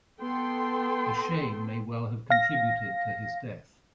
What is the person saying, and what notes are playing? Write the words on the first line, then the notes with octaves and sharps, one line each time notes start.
The shame may well have contributed to his death.
B3 A4 G5 C6
F5 A#6